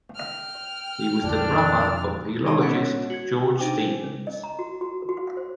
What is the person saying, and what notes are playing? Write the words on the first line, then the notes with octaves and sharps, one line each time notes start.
He was the brother of the philologist George Stephens.
G5 F6
F2 A#2 D3 D4
G#3 D#4 G4 D#5 A5 B5
G#3 B3 C#4 D4 C#5 F#5
F#4 G#6
D4 D#4 C5 G5 G#5 D6
D#5
A#5
F#4
F#4
F#4
C5